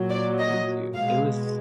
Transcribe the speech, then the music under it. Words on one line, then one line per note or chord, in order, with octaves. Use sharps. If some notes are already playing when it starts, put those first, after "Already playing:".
Thank you. It was
Already playing: A#2 F#3
D5
D#5
B2 G#3 F5